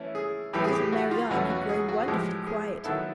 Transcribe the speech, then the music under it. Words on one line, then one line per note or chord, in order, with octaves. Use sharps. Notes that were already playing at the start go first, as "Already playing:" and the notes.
Little Marianne had grown wonderfully quiet.
Already playing: E3 A3 C#4 E4
G#4
A2 E3 G3 G4
G#4
G4
F#4
F4
E2 B2 F#3 A3 C#4 F#4
F#4
G#4
F#4
G#4
A2 F3 G#3 G4
G#4
D#3 F#3 B3 E4 A4